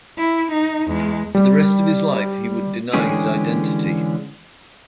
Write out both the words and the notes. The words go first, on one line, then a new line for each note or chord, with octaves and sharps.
For the rest of his life he would deny his identity.
E4
D#4
E2 G#3
G3
D3 E3 G#3 C#4 G4 G#4